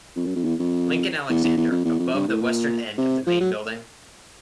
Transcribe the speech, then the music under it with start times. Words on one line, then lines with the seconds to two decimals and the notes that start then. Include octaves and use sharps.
Lincoln Alexander, above the western end of the main building.
0.16 F2
0.26 F#2
0.36 F2
0.45 E2
0.59 F2
1.29 E2
1.44 E2
1.57 E2
1.71 F2
1.85 E2
1.99 F2
2.14 G2
2.28 A2
2.41 A#2
2.98 C3
3.26 F3
3.40 F#3